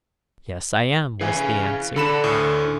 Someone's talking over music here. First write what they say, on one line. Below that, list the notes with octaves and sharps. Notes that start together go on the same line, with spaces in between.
'Yes, I am,' was the answer.
E3 G#4 F5 G#5
D3 D4 A4 B5 E7
D2 A2